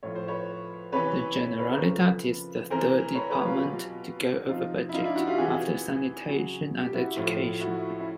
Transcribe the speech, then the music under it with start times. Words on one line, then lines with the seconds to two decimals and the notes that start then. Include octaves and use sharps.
The Generalitat is the third department to go over budget, after Sanitation and Education.
0.03 A2 F3 C#5
0.15 C5
0.28 B4 C#5
0.92 C3 E3 B4 C#5
1.36 B4 C#5
1.59 B4 C#5
1.70 A#4 C5
1.81 C#3 F3 A4 B4
2.70 C3 E3 A#4 C5
3.15 B4 C#5
3.30 B4 C#5
3.45 F4 G4
3.59 B2 F#3
4.49 C3 F3 D#4 F4
4.89 E4
4.94 D#4 F4
5.04 D4 E4
5.16 E4 F#4
5.27 F4 G4
5.38 C3 E3 F#4 G#4
6.27 C#3 F#3 F#4 G#4
6.83 G4
6.94 E4 F#4
7.17 A2 F3
7.61 E4 F#4
8.00 E4